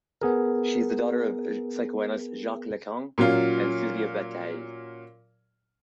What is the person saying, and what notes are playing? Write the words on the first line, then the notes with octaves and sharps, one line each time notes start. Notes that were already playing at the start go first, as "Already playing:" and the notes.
She is the daughter of the psychoanalyst Jacques Lacan and Sylvia Bataille.
B3 G#4 A#4
A#2 F#3 C#4 F4